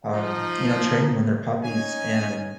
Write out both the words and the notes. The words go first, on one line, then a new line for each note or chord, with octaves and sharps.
um, you know, train 'em when they're puppies and
F3 D#4
C#4 D#4 G#5